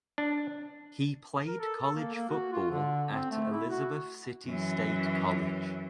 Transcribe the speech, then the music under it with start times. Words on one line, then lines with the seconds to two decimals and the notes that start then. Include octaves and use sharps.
He played college football at Elizabeth City State College.
0.18 D4
1.47 A#4
1.60 A4
1.82 A4
1.95 A#3
2.14 A#3
2.29 F#4
2.53 F4
2.70 D3
3.10 C4
3.31 A3
3.52 E4
3.70 F#4
4.46 F#2 E3